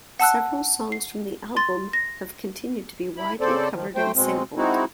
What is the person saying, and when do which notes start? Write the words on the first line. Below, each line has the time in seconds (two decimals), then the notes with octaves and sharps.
Several songs from the album have continued to be widely covered and sampled.
0.20 F#5 A5 E6 F#6
0.92 C7
1.57 C6 A6
1.93 A#6
3.17 E4 B5
3.41 C#3 C4 A4 C5 D5
3.72 D#3 F3
3.96 A3 C5 G5
4.15 B2 G#3 C4
4.57 G#3 C4 D#4 E4 F#4